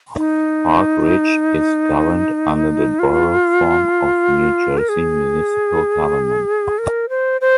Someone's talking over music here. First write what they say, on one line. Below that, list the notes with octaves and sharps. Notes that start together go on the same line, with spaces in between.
Park Ridge is governed under the Borough form of New Jersey municipal government.
D#4
F4
A#4
G#4
A#4
C5
C5